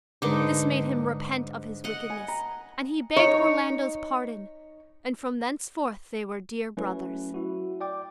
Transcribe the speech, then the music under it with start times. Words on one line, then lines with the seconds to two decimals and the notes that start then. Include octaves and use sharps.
This made him repent of his wickedness, and he begged Orlando's pardon, and from thenceforth they were dear brothers.
0.22 G#2 D3 D#4 B4 D6
1.84 D#5 F#5
2.10 G#5
2.28 A#5
3.16 D#4 C#5
6.77 F#3 A3 C#4 E4 B4
7.34 E4 F#4
7.81 D5 G5 D6